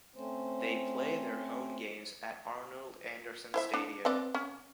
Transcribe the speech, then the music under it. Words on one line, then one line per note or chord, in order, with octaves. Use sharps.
They play their home games at Arnold Anderson Stadium.
A3 C4 C#4 C5
E4 C5 E5
D4
C4 B4 D5
C#4